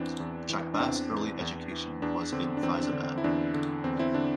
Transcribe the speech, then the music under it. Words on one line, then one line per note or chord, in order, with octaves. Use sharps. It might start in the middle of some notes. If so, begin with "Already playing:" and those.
Chakbast's early education was in Faizabad.
Already playing: E2 E3 C4 D4
E2
E3
D4
E2 C4
E3
E2
E3
E2 D4
D3 C4
D4
E2 C4
D4
D3
C4
E4
E2 D4
D3
E2 C4
C4 E4
D3 D4